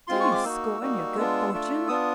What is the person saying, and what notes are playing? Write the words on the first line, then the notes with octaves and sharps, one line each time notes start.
Do you scorn your good fortune?
G#3 C4 F4 C6
C#6
D6
A#3 D#4 F#4 E6
G3 A#3 D#4 F#4
G#3 B3 D4 F4
A3 D4 F4
B3 D4 F4 D#6